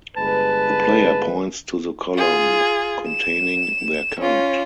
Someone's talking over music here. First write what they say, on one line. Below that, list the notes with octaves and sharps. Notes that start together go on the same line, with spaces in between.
The player points to the column containing their card.
G1 G#3 B4 A5
F4 G#4
E7
C#4 F4